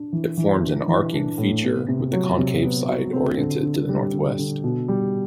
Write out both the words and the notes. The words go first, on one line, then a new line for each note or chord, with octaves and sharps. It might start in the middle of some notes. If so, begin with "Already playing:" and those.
It forms an arcing feature with the concave side oriented to the northwest.
Already playing: D4
E3
E3
D4
E3
D4
A2
B3
C3
F#3
C3
B3
F#4
C4
D3
D3
G3
D3
D3
B2
G3